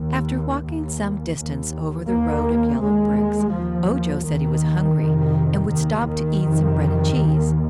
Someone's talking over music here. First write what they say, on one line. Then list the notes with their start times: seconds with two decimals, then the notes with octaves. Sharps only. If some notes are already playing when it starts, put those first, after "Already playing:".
After walking some distance over the road of yellow bricks Ojo said he was hungry and would stop to eat some bread and cheese.
Already playing: D#2
0.64 D#2
1.37 D#2
2.08 D#2 A#3
2.81 D#2 G#3
3.53 D#2 F3
4.26 D#2 D#3
4.97 F2 C3
5.69 D#2 D#3
6.06 D#3
6.42 F2 C3
7.14 D#2